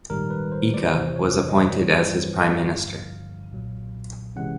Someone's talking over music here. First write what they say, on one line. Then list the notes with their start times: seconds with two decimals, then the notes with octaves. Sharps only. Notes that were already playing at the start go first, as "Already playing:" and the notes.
Ika was appointed as his prime minister.
0.10 A#1 G#2 D#3 G3 A#4
0.30 B4
0.52 C5
0.74 D5
0.94 E2 C3 E3 C5
1.16 C#5
1.37 C#5
1.49 D#5
1.59 D5
1.80 G2 E3 G3 C#5
2.02 C5
2.23 B4
2.37 F#5
2.45 F5
2.65 G2 D3 F3 F5
3.51 B1 A#2 F#3
4.36 C3 E3 G#3 C#4 F#5